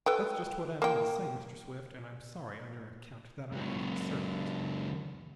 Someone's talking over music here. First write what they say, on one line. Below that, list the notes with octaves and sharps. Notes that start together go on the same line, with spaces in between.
"That's just what I mean to say, Mr. Swift, and, I'm sorry, on your account, that I have to serve it."
A4 B4 G5
A#3 G5
C#2 F#3